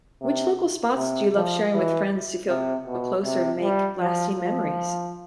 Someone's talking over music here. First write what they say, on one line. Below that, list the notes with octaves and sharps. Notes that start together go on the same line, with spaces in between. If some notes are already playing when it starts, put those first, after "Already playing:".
Which local spots do you love sharing with friends to feel closer and make lasting memories?
C3
C3
F3
E3
C3
B2
C3
G3
F3
F3